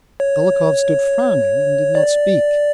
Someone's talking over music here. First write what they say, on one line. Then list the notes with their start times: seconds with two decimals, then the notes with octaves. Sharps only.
Dolokhov stood frowning and did not speak.
0.20 C#5
1.95 D5